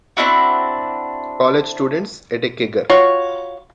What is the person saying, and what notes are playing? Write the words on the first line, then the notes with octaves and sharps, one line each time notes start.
College students at a kegger.
C4 D4 E4 F#4
F4 F#4 C#5